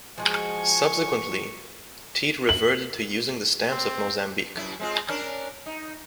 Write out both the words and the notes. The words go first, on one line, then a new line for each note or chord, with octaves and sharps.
Subsequently, Tete reverted to using the stamps of Mozambique.
F3 G#3 F#4 G#5 C#6
F#7
C4
F#2 E4
G#3 C4 F4
C#4 D4 A#4
D#4